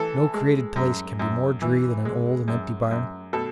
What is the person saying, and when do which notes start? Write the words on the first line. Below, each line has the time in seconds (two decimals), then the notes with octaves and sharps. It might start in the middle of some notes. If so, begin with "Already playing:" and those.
No created place can be more dreary than an old and empty barn.
Already playing: E3 A4
0.34 G#3
0.76 F#2
1.19 F#2
1.62 E3
2.05 G#3
2.48 F#2
2.91 F#2
3.33 B2 A4